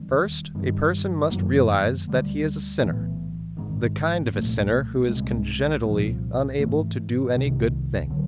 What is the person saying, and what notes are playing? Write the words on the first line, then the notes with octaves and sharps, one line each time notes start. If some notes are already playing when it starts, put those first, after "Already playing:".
First, a person must realize that he is a sinner, the kind of a sinner who is congenitally unable to do any good thing.
Already playing: E1 D#2 D#3 G3
G1 G2 D#3
F#2 D#3 F#3 A#3
D2 D3 G3
B1 A2 E3
G#1 G#2 D#3
C2 A#2 F3 A3
C2 B2 G#3
C2 A#2 F3
G#2 E3 A3
C2 C3 D#3
D3 F#3